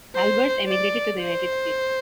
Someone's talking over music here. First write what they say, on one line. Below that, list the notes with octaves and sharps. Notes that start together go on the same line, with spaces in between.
Albers emigrated to the United States.
C5
D5
C5